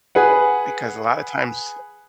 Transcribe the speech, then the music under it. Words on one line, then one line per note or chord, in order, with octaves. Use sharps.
Because a lotta times
G#4 B4 F#5